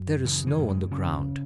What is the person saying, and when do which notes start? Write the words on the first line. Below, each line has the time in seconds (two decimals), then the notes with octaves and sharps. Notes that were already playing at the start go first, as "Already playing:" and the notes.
There is snow on the ground.
Already playing: F#2
0.25 C#3 E3
0.47 E3
0.58 F#2
0.69 G#3
0.91 C#3 C#4